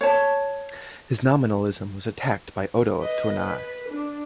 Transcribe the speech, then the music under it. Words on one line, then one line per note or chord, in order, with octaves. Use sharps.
His nominalism was attacked by Odo of Tournai.
C#5 A5
B4 D#5
B4
D4